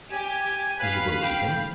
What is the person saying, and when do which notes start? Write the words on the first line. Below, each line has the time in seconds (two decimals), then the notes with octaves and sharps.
"Did you believe him?"
0.12 G4 G#5
0.80 B4 F5 B5
1.23 G5